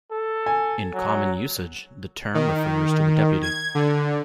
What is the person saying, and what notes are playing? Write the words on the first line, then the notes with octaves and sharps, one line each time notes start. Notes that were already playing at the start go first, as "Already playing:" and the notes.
In common usage, the term refers to a deputy.
A4
G#5
F#3
D#3
G#6
D3